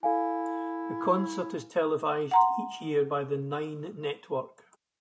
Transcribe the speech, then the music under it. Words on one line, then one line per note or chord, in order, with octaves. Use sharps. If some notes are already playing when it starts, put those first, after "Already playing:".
The concert is televised each year by the Nine Network.
E4 A4 F5 G#5
F#5 A#5 C6